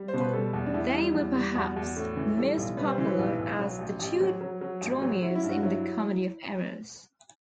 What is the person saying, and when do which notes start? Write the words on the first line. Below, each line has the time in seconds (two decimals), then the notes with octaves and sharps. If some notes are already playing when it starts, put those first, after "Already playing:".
They were perhaps most popular as the two Dromios in "The Comedy of Errors".
Already playing: G3
0.08 C5
0.13 B2
0.20 B4
0.33 G3 A4
0.53 E2
0.66 D4
0.74 E2 E4
0.94 G3
1.14 E2
1.35 G3
1.55 E2 F#4
1.76 E2
1.96 A2
2.16 E3
2.37 G3 A4
2.57 B1
2.77 G3 B4
2.92 C5
2.98 E3
3.06 B4
3.19 B1
3.39 B1
3.59 F#3
3.79 A1
3.99 A1 G4
4.21 F#3
4.41 F#3
4.61 F#3
4.81 A1
5.02 F#3
5.22 F#3 E4
5.35 E4
5.43 G2
5.49 F#4
5.63 F#3 E4